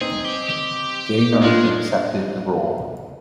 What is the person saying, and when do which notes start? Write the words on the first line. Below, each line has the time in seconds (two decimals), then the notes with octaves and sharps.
Gaynor accepted the role.
0.01 C4 D#4 G#4
0.25 G4
0.49 G4
1.32 D#4
1.43 G#3 D4 F4